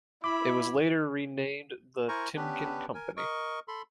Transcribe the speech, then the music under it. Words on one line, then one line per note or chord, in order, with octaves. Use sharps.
It was later renamed The Timken Company.
E4 E5 B5 D6
E4 A#4 C5 G#5 A#5 C#6
B3 C#4 D4 G4 B4
A#4 G#5
A#4 D#5 C#6
A4 B5 C6